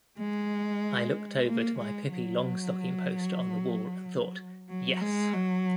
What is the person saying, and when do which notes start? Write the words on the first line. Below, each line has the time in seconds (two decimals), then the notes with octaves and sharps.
I looked over to my Pippi Longstocking poster on the wall and thought, Yes!
0.19 G#3
1.48 A#3
1.79 G#3
2.12 F#3
4.69 F#3
5.01 G#3
5.33 F#3